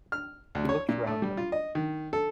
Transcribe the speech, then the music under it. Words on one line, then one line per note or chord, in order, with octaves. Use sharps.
He looked round him.
F6
D2
C#5
A#2
A3
G3
F4
D#5
D#3
A4